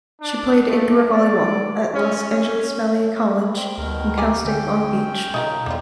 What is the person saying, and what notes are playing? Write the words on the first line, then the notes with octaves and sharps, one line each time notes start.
She played indoor volleyball at Los Angeles Valley College and Cal State Long Beach.
D4
A3
D5
C#4
C#4
C4
D2 B2 D#3 A#4
G4 D5 G#5
D3 C#4 G5
B2 D#4 F4 A#4
E2 A2 D#3 G3 A#3 B3 F4